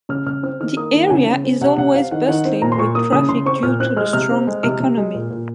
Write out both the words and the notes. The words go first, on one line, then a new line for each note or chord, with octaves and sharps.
The area is always bustling with traffic due to the strong economy.
C#3 F6
C#3 F6
C4 F6
D#3 F6
A#3 D#6
D#3
F#5
C#3 G#5
C#3
C4
C3 F#5
C3 F#5
C4 F5
D#3 F#5
D#3 F#5
C4
A#2 A#5
C6
A#2 C#6
A#3 D#6
C#3 D#6
C#3 C6
C4 C#6
A#2 F6
C4 F#6
G#3 F6
C3 F6
C4
G#3
C3 F6
C3
G#3
A#2
A#2